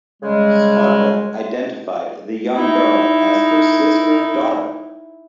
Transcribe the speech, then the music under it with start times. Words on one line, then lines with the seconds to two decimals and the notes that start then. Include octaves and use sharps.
Sparkle identified the young girl as her sister's daughter.
0.23 C#3 G3 G#3
2.55 D#4 E4